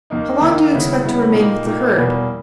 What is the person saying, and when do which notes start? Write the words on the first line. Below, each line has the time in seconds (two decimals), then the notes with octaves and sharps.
How long do you expect to remain with the herd?
0.10 D#2 D#3 A#3 D#4
0.42 D#2 D#3 A#3 D#4
0.72 C#3 G3 B3 E4
1.03 C#3 G3 B3 E4
1.34 A#2 A#3 D#4 G4
1.65 A#2 A#3 D#4 G4
1.96 E2 B2 G3 A#3